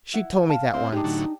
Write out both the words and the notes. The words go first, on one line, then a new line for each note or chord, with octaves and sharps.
"She told me that once."
E4 F#5
F5 A5
C4 E4 D#5
G#2 D4 D#4 G4
A2 D3 F#3